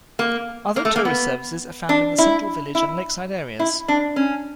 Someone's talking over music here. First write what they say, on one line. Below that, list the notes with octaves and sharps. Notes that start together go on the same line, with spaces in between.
Other tourist services are found in the central village and lakeside areas.
A#3
A#3
A3
A#3
B3
D4
E4
E4
E4
D4
C#4